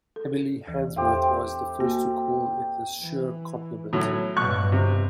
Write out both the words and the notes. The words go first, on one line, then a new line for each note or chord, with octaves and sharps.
Emilie Haynsworth was the first to call it the "Schur complement".
A4
D#2 E3
E2 A3 C4 G4
A#3 F#4
E3
A2 F#3
G2 B2 C#6 F#6
C3